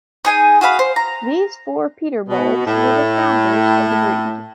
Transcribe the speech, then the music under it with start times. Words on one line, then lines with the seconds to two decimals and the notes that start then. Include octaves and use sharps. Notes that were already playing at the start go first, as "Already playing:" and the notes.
These four Peterbalds were the founders of the breed.
0.25 D#4 G#4 G#5
0.61 F#4 G#4 F5 B5
0.79 C5
0.96 A#5
2.29 B2
2.66 A2